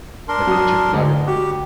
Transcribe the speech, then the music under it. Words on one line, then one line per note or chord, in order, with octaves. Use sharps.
Like nature photograph
D4 A#4 C6
F#3 D#6
D2
F#4 G4